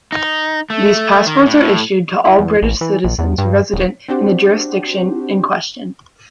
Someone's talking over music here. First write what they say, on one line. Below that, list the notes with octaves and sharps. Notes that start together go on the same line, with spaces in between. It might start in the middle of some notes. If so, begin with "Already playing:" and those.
These passports are issued to all British citizens resident in the jurisdiction in question.
D#4
A3
D#3
A2
E4
E2
A1
E3
A#1
E2
G2
D#1
C4 D4 F#4 G4 C5